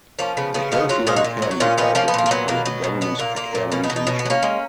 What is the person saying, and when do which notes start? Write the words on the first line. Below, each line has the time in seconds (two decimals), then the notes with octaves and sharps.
The Harefield Academy project is part of the Government's Academies initiative.
0.19 F3 A#3 C#4
0.37 C#3 B3
0.54 C#3 B3
0.72 F3 B3 D#4
0.89 F#3 C#4 F4
1.07 A#2 F4 G#4
1.16 D#4 F#4
1.24 A#2
1.42 F#3
1.51 F#4
1.60 A#2 C#4 F4
1.78 F3 B3 D#4
1.95 F3 A#3 C#4
2.08 B3
2.14 A#2 A#3
2.26 A#3
2.31 F#3 B3
2.48 B2 A#3
2.66 F#3 B3
2.84 B2
3.01 F#3 B3
3.19 A#2 A#3
3.36 A#2 A#3
3.55 A#2
3.72 B2 A#3 C#4
3.84 B3 D#4
3.90 B2
3.96 D#4
4.07 B2 C#4
4.19 B3
4.25 F#3
4.30 A#3 C#4
4.43 G#3